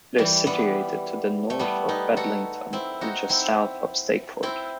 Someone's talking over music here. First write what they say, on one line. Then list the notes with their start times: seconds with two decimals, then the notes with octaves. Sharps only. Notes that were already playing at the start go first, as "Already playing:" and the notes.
It is situated to the north of Bedlington, and just south of Stakeford.
0.18 E3 G3
0.47 G3 B3
1.50 A3
1.59 G3 B3
1.89 B3 D#4
2.17 F#4 A4
2.73 C4 E4
3.01 D#4 F#4
3.29 C4 E4
4.43 C4 E4